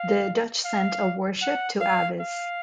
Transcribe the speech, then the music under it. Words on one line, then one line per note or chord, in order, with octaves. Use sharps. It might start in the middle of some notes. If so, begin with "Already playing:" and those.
The Dutch sent a warship to Aves.
Already playing: F5
F5
F#5
F5
F5